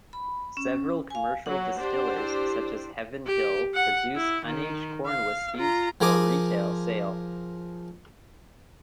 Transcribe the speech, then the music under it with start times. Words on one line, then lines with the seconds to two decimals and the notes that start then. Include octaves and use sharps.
Several commercial distillers such as Heaven Hill produce unaged corn whiskeys for retail sale.
0.13 B5
0.57 C#4
1.10 F5 G#5
1.46 F#3 F#5
1.77 D4 G4 C5
2.18 E4
3.26 G4
3.74 F#5
4.15 E4
4.45 D#3
5.06 F5
5.56 F4 A#5
6.01 F3 G#4 A#4 D6 D#6